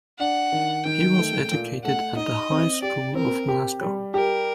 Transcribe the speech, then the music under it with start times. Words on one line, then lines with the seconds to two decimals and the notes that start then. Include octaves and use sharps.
He was educated at the High School of Glasgow.
0.19 D4 F#5
0.52 D#3
0.85 D#3 G5
1.18 A3
1.51 A#2
1.84 A3 F#5
2.17 D#4 D#5
2.50 C4
2.82 G4 D5
3.15 C4 A#4
3.48 G4
3.81 G3
4.14 G4 A#4